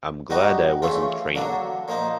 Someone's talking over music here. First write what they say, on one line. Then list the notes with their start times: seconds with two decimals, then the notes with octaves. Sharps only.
I'm glad I wasn't trained.
0.30 G3 B3 D#4 F#4
0.82 C#3 E3 A3 C#4 F4
1.35 D3 F#3 A#3 D4
1.88 A#2 F3 A#3 D#4